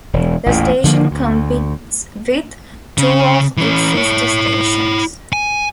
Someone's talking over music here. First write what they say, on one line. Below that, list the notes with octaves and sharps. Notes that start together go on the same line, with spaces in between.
The station competes with two of its sister stations.
E1
A1 E2 A#2
D3 D#3 F3 A#3
D2
C#3
E3 C#4
E4 C#5
G#5